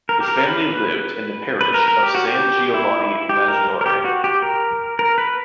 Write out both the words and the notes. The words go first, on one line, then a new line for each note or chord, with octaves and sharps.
The family lived in the parish of San Giovanni Maggiore.
A#4
G4
A#4
A#4
B4
B4
A#4
A#4
G4
F#4
G4
E4
G4
A#4
A#4
G4
F#4
G4
A#4
A#4
B4